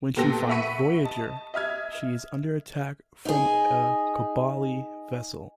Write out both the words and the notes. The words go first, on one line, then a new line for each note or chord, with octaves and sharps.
When she finds "Voyager", she is under attack from a Kobali vessel.
F1 A#2 B3 A4 G5 A#6
E5 F#5 B5 C#6 B6 D#7
D#5 A5
D#5 E5 F6 G#6
D#4 G#4